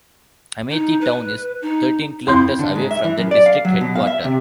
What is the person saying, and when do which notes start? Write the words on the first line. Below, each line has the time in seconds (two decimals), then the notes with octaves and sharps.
Amethi town is thirteen kilometers away from the district headquarter.
0.70 D#4
1.01 B4
1.62 D#4
2.27 F2 E4 C6 G6
2.59 D3
2.76 G#2
2.91 E5
3.04 E3
3.17 F#2
3.31 D5
3.46 F5
3.65 F#3
3.81 B2
3.95 F5
4.07 E5
4.25 C3